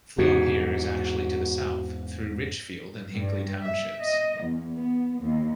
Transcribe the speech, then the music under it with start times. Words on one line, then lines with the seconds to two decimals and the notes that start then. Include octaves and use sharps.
Flow here is actually to the south, through Richfield and Hinckley Townships.
0.18 E2 G#2 D#4 F#4
3.11 G2
3.62 E5
3.99 D#5
4.42 E2
4.77 B3
5.20 D#2